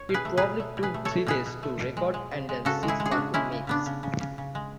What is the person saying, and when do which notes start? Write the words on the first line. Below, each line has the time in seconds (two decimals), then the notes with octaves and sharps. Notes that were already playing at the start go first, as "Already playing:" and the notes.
It probably took three days to record and then six months to mix.
Already playing: C#5
0.09 B2
0.14 G#4 B4
0.25 A3
0.37 B2 G#4 B4
0.60 A3
0.77 B2
0.83 G#4 B4
0.94 A3
1.05 A4 C#5
1.11 A3
1.27 B2 G#4 B4
1.46 B2
1.63 A3
1.80 B2
1.97 G#3
2.14 G#3
2.31 C#3
2.49 G#3
2.65 C#3 F#4 A4
2.83 G#3
2.88 E4 G#4
3.00 G#3
3.06 G#4
3.11 D4 F#4
3.18 C#3
3.34 G#3 C#4 E4
3.52 C#3
3.67 C#3 B3 D4
3.86 C#3
4.03 C#3
4.21 C#3
4.38 C#3
4.55 G#3